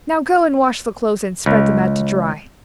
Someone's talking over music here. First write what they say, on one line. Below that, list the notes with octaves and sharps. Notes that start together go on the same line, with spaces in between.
Now go and wash the clothes and spread them out to dry.'
C#2